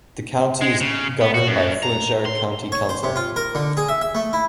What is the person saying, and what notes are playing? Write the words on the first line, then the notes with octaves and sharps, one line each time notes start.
The county is governed by Flintshire County Council.
G#3
C#3
B3
F#4
F#2
A#5
C6
C#5
C5
C3
F4
A#4
D3
G#4
E5
E5
A3
E4